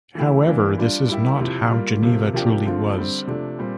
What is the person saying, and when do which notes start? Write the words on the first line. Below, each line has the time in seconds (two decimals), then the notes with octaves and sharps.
However, this is not how Geneva truly was.
0.15 E3 A3 E4 G4
0.46 E3 G3 A#3 D4
0.78 G3 D4 F4
1.09 G3 A#3 E4 G4
1.40 C3 F3 C4 E4
1.71 G3 A#3 F4
2.02 C3 F3 A#3
2.33 C3 F3 A#3 D4 G4
2.65 D3 F3 A3 C4 F4
2.96 D3 G3 C4
3.27 C3 F3 A3 D4
3.59 A#2 G3 C4